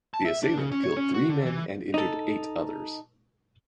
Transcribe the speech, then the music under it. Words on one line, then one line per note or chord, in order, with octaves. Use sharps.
The assailant killed three men and injured eight others.
A5
E5
D4
C#3
C#4
C#5
C#4
F#4
D3
E3
D#4 A4